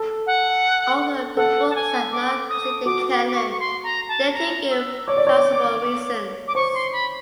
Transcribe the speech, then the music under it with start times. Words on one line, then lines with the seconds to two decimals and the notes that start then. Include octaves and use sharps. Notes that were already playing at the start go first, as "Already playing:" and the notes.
Although the books are not considered canon, they do give plausible reasons.
Already playing: A4
0.27 F#5
1.37 A4 F#5
1.70 A5
1.75 G#5
2.12 D6
2.49 D#6
2.86 F#4 D6
3.11 D6
3.27 D6
3.35 C#6
3.51 C#6
3.60 C6
3.84 A#5
4.09 A5
4.33 A#5
4.71 E6
5.07 C#5 D6
5.17 D5
5.27 C#5
6.48 D6
6.55 C5 C#6
6.74 C6
6.93 B5